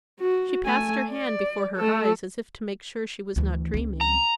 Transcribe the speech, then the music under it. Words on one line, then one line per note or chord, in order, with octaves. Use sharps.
She passed her hand before her eyes, as if to make sure she was not dreaming.
F#4
A3 G#5
D5
A3 A4
D2 E3
C#2 C4
A#5